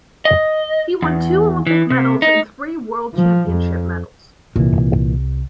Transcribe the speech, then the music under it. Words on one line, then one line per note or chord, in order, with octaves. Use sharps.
He won two Olympic medals and three World Championship medals.
D#5
E2
E3
C3
D#4
F3
F2
C2 A#2 E3